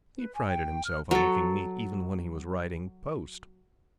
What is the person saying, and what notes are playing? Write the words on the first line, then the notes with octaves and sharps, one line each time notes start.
He prided himself on looking neat even when he was riding post.
B4
G#5
G5
F6
F#3 A4